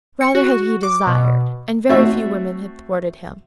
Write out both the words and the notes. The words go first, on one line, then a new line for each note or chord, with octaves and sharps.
Rather had he desired, and very few women had thwarted him.
C#7
F#4
D6
B2
A3 C4 F#4 E5